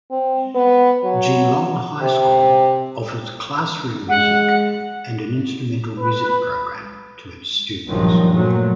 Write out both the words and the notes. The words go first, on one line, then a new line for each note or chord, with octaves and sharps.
Geelong High School offers Classroom Music and an Instrumental Music program to its students.
C4
B3
F#3
C3
G#3 F#5
B4
A#1 G2 A#2 D#3 F3 F#3
A#2 F3 F#3 A3